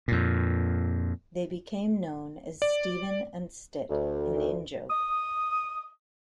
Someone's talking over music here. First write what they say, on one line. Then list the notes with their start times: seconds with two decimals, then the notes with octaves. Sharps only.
They became known as Stephen and Stitt: an in-joke.
0.08 F2 A#2
2.62 D5
3.89 D2
4.90 D#6